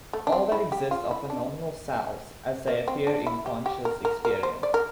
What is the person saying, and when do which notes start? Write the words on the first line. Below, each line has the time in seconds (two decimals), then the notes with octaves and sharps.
All that exists are phenomenal selves, as they appear in conscious experience.
0.13 A3
0.27 D4
0.32 C4
0.52 E4
0.72 G4
0.91 F4
1.11 E4
1.30 D4
2.68 A#3
2.88 C4
3.07 D4
3.27 E4
3.46 G4
3.66 G4
3.85 A#4
4.05 A#4
4.25 A#4
4.43 C5
4.63 D5
4.74 A#4